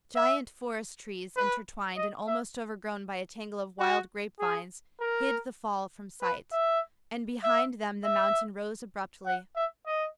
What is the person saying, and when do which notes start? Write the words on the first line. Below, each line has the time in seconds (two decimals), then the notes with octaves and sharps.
Giant forest trees, intertwined and almost overgrown by a tangle of wild grapevines, hid the fall from sight, and behind them the mountain rose abruptly.
0.15 E5
1.37 B4
1.97 D#5
2.28 E5
3.80 F#4
4.40 G#4
5.01 A#4
6.22 B4
6.52 E5
7.43 E5
8.04 E5
9.26 F#5
9.56 E5
9.86 D#5